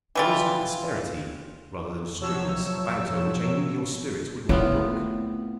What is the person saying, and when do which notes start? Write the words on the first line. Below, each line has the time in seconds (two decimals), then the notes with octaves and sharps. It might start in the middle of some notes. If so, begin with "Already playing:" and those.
There is an asperity, rather than strictness, about her which I knew your spirit would not brook.
0.15 E3 G3 F4
2.19 C3 F3 F#3 C#5 E6
4.49 A2 B3 C4 F4